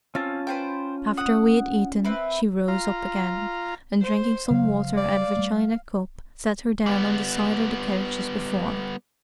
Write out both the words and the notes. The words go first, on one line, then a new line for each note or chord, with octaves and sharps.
After we had eaten, she rose up again, and drinking some water out of a china cup, sat her down on the side of the couch as before.
C4 C#4 F4 A5
B4 C5 G5
F#5 D#6
C4 E4 B4
F4 A#5
C5
C#3 F#3 F5
D5
G3 A3
G3 B3